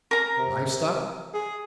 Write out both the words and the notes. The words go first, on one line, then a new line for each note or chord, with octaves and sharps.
"Live stock?"
A#4 A#5
C3
G#4